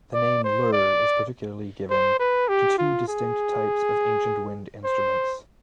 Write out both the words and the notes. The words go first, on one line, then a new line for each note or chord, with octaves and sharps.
The name lur is particularly given to two distinct types of ancient wind instruments.
D5
C5
D5
C5
B4
G4
F4
G#4
C5